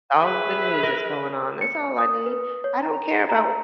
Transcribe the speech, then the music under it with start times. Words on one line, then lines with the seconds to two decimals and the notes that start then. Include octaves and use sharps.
all of the news that's going on. That's all I need. I don't care about
0.22 G#4 B4 E5
0.83 A#4
1.61 C#7
1.98 D#6
2.26 B4
2.64 C#5
2.82 A#5
3.29 A#5